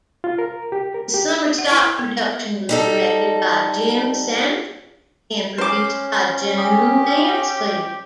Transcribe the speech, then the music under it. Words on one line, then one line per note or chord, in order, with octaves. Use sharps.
The Summerstock production was directed by Jim Senft and produced by Joan Mansfield.
F4
A#4
G4
A#4
G4
F#5
E4
B3
G3 D#4 A4
C#4 C5 D6 F6
G4 G#5 D#6